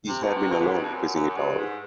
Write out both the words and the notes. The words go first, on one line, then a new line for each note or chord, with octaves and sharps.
He had been alone: facing it all.
C3
B2
C3
B2
G#2
G2
F2
F#2
F#2
F#2
G2
G#2